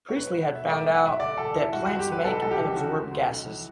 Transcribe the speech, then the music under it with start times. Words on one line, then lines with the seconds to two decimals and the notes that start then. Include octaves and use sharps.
Priestley had found out that plants make and absorb gases.
0.09 C#5
0.16 B1 B4
0.33 B1
0.42 F#5
0.51 B2 E5
0.68 A2 D5
0.81 B1 E5
0.94 F#5
1.03 B1 E5
1.20 D2 D5
1.38 E1 A4
1.55 E1 E4
1.73 G2 F#4
1.86 G1 F#4
1.99 G4
2.08 G1 B4
2.25 B1 A4
2.42 B1 A4
2.51 G4
2.60 E3
2.76 C#3 F#4
2.94 D2
3.11 D2
3.29 B1
3.47 E3